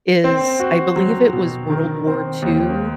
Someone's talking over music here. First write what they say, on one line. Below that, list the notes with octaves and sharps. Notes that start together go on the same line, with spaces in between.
is, I believe it was World War II
C4
F#4
F#3
B2
D#3
C4
D#2